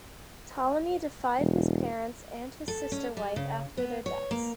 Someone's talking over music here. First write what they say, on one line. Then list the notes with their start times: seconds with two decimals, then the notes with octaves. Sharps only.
Ptolemy deified his parents and his sister-wife after their deaths.
1.39 E1
2.68 A4
2.92 C#4
3.17 G3
3.36 C#3
3.77 B3
4.06 C#5
4.31 A#3